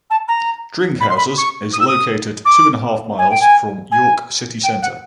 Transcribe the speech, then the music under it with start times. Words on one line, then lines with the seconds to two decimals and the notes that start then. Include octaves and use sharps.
Dringhouses is located two and a half miles from York City Centre.
0.10 A5
0.28 A#5
1.00 B5
1.09 C6
1.16 B5
1.37 C#6
1.72 D#6
1.80 E6
1.87 D#6
2.45 D6
3.18 G#5
3.30 G5
3.40 G#5
3.91 G#5
4.63 G5
4.82 F#5